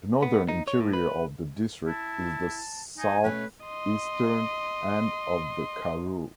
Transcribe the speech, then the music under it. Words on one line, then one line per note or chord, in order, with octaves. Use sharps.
The northern interior of the district is the southeastern end of the Karoo.
B3
D#4
C#5
A2
B4
E4 A5
D#4 G#5
B2 A3 C#4 B4
D#5 C6